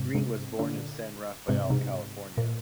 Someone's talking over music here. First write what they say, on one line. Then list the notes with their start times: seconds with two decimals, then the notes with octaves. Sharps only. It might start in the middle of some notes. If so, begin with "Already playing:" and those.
Green was born in San Rafael, California.
Already playing: G#2 C3
0.14 G#2 C3
0.59 A#2 D3
1.48 G#2 C3
1.70 G#2 C3
2.37 A#2